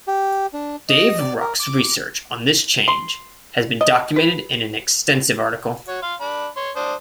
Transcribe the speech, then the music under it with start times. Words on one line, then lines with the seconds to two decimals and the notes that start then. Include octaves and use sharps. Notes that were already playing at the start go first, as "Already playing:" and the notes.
Dave Ruch's research on this change has been documented in an extensive article.
0.08 G4
0.53 D4
0.89 D#5
1.18 D5
1.41 A#4
1.60 D6
2.88 C6
3.81 D#5
4.16 B4
5.88 F#4 C#5
6.02 F5 C6
6.21 D4 B5
6.57 C#5 C6
6.76 D4 C5 D#6